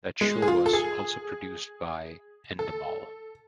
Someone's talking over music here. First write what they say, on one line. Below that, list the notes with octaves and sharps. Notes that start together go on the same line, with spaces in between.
That show was also produced by Endemol.
G#3
G#4
F4
A4
G#4
A4